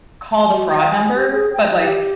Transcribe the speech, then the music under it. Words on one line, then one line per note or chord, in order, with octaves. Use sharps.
call the fraud number, but like,
F#4
F5
G#5
G4
G#4
G5
G4